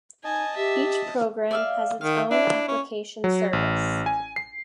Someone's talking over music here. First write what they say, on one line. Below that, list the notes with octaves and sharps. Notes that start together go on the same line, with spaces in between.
Each program has its own application service.
D#4 D#5 G#5 A5
G4 E5
D5 E5 F5
D#3 F5
D4 E4
C#4
F#3
A1
G#5
C7